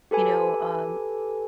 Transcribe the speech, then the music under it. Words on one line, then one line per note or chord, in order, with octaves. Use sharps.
you know, um,
G4 A4 B4 G#5